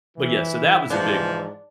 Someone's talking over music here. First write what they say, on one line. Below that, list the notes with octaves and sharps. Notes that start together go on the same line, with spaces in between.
but yeah, so that was a big one.
E3 E4
G#2 E3 F3 D4